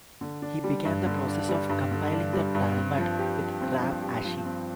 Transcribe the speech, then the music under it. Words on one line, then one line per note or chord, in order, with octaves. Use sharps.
He began the process of compiling the Talmud with Rav Ashi.
D3
D4
G3
G2
D3
D4
G3
G2
D3
D4
G3
G2
C4
F3
G4
F3
C4
F3
G4
F3
C4